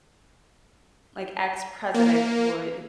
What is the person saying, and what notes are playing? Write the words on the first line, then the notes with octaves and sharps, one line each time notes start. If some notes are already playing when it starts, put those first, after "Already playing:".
like, ex-president would
A#3